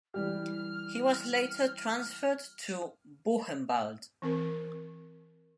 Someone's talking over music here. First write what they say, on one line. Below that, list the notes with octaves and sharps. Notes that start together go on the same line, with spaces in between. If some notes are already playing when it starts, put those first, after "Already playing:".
He was later transferred to Buchenwald.
E3 G3 G4 F6
E3 C4 A#4